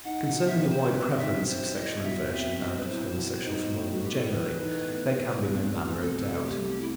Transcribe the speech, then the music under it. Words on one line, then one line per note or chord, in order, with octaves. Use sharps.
Concerning the wide prevalence of sexual inversion and of homosexual phenomena generally, there can be no manner of doubt.
D#4 F#5
F#5
B2
E5
C4 B4
C5
G3 B4
D#5
D#4 E5
B2 C5
E4 D#5
B2 E5
C4 E5
F#3 D#5
C5
B4
E4 C5
B2
D#4
A2
F#4
B3 G4
A4
E3 B4
D#4
A2
A3
C2
F#3
C3 A4
A3
G4
C2
E4